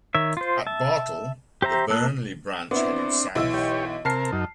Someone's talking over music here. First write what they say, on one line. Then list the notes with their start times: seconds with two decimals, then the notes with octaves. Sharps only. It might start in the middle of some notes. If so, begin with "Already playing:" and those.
At Bartle, the Burney Branch headed south.
0.15 D#3 C#5 E5
0.37 F4 C5
0.67 E5 A5
1.62 G4 C5 E5 A#5
1.90 A#3 A5 E6 F#6
2.71 B3 C4 D4 E4
3.35 B1 E3 E6
3.54 G4 C#5
4.05 C3 A#4 A5 F6 C7
4.32 F#2 D#4